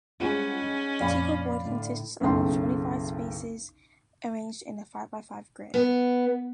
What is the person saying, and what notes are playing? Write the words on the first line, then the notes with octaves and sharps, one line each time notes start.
The Teeko board consists of twenty-five spaces arranged in a five-by-five grid.
G3 G#3 C#4 F4 C5 F#5
D#4
F2 A#2 D5 F5 B5
A2 D3 E4
F#1 B1 C#3 A3 G5 C6
B3